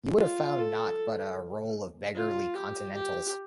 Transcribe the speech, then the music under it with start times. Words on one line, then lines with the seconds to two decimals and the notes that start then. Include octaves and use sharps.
You would have found naught but a roll of beggarly continentals.
0.19 F4
0.59 A4
2.15 F4
2.54 G4
2.94 G4